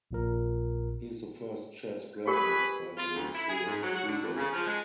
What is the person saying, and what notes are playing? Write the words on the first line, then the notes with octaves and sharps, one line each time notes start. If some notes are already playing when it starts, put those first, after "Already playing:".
He is the first chess grandmaster in the history of Cuba.
A#1 A#2 A#4
G4 G#4 A#4 B4 B5
F4
D2
E4
G#4
G#2
F#3
F#4
D3
F2
C#3
F3
G#3